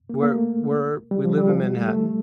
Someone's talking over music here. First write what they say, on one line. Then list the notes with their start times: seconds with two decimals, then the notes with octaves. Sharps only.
Where where we live in Manhattan.
0.09 A#3
0.23 A#3
0.35 A3
1.11 G3
1.25 F3
1.38 G3
1.49 F3
1.63 G3
1.75 A3
1.88 A3